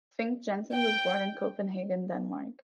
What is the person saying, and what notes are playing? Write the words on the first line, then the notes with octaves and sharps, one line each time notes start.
Fink-Jensen was born in Copenhagen, Denmark.
G5